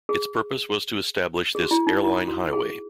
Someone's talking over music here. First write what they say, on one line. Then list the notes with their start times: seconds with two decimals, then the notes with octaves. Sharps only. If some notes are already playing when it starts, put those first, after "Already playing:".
Its purpose was to establish this "Airline Highway".
0.09 G#4
1.55 G#4
1.63 F#4
1.71 E4
1.87 D#4
2.04 E4
2.28 F#4
2.53 G#4